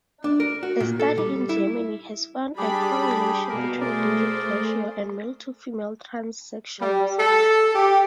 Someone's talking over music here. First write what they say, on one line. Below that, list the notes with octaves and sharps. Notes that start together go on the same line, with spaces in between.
A study in Germany has found a correlation between digit ratio and male-to-female transsexualism.
D4
A#4
F#4
A#2
A4
G3
E4
G3 D4 G4 G#4 B5
B2 A#3 A#4
A3 G#4 A#4 C5 D5
G3
A4
G4